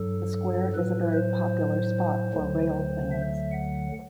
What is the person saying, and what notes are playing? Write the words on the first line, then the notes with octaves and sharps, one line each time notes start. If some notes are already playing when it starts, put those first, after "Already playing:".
The square is a very popular spot for railfans.
Already playing: G2 F#3 A4
A2 F#3 B4
C5
D2 D3 F#3
E5
F#5